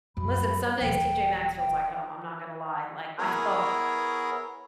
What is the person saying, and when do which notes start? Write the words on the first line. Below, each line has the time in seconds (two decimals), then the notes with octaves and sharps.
Listen, some days TJ Maxx feels like home, I'm not gonna lie. Like, I feel
0.17 F#2 B5
0.81 D#1 E3 G5
1.58 G5
3.18 B3 E4 G#4 A#4 C#5